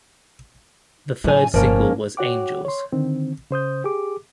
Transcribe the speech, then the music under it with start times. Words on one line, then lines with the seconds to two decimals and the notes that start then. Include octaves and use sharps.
The third single was "Angels".
1.24 A2 F#3 B3 G#5
1.54 G1 C3 F3 A#3 C#4
2.17 F#4 C#5 F#5 G5 D6
2.65 C#5 C6
2.92 D3 D#3 C4
3.51 C#3 C5 D#6 G6
3.84 G4 G#4 D6